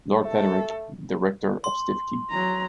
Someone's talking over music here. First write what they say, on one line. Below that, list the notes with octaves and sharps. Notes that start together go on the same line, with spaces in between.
Lord Frederick, the Rector of Stiffkey.
A3 A4
C6
F#3 A#5